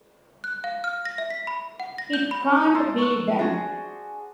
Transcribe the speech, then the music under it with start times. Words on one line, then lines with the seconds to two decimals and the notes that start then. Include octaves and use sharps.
It can't be done.
0.44 F#6
0.64 F5
0.84 F6
1.05 A#6
1.18 E5
1.30 B6
1.47 B5
1.80 F#5
1.98 A#6
2.13 G6
2.31 B5
2.74 E4 A5 C6
2.98 C#6 F#6
3.39 D4 F#4 G#4 C5